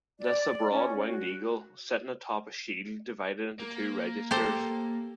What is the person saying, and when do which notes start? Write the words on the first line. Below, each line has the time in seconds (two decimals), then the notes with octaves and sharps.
This is a broad winged eagle, sitting atop a shield divided into two registers.
0.20 D5
0.70 C#4
1.06 F#4
3.59 A#3
4.31 G4 A4 C5